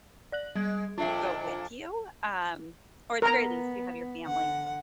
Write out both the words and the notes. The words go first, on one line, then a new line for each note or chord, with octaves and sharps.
go with you, um, or at the very least, you have your family,
D5 F#6 F#7
G3 G#3 G#6
F2 A#2 D4 F4 E5
B3 A#4 A#5
D3 F#5